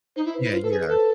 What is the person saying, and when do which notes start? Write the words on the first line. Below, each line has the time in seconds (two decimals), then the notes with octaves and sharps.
Yeah, yeah.
0.16 D#4 C5
0.25 E4
0.34 B4
0.43 E4
0.52 F4 C5
0.63 A4 B4
0.71 G#4
0.77 C5
0.88 A4 B4